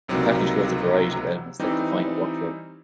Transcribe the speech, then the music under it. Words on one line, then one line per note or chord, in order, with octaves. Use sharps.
A package holds a variety of elements that define a workflow.
C#2 C3 F#3 G3 A#3 D#4
E3 G3 C4 D#4